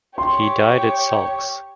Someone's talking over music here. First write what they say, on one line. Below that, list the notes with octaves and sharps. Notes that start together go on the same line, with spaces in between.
He died at Saulx.
G4 C#5 C6